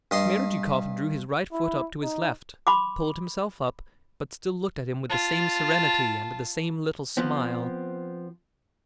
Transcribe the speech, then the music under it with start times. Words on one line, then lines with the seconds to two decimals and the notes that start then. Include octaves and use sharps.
Smerdyakov drew his right foot up to his left, pulled himself up, but still looked at him with the same serenity and the same little smile.
0.11 G2 D#5 C6
1.53 E4
2.02 D#4
2.67 B5 C6 D6
5.09 F4 A5
7.17 F3 B3 C4